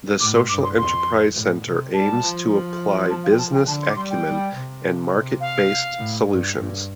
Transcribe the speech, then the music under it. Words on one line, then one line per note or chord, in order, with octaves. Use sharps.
The Social Enterprise Center aims to apply business acumen and market-based solutions.
A2 D6
C6
G2 D6
C6
F2 C6
A2
C3
G3 A5
F3
A5
F5
G5
A5
G5
D3 A5
C6
D6
G3 C6
G5
G3
C3
F5
A2
G2
G2